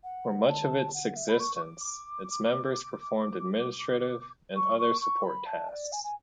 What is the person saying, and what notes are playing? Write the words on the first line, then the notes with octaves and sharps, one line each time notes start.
For much of its existence, its members performed administrative and other support tasks.
F#5
A5
F#5
E5
B5
C#6
C#6
D6
D6
C#6
C#6
C#6
B5
A5
D5
G#5
G#5